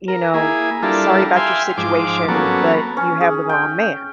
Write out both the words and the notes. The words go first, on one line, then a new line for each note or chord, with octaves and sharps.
you know, "Sorry about your situation, but you have the wrong man"
A#4
A#3 E4 G#4
G3 D4 E4 F4 A4 A#4
E5 F5 G5 G#5 C6
G#2 F3 D6
F#3 A#3 B3 C#4 A4
C#4
G#4
G5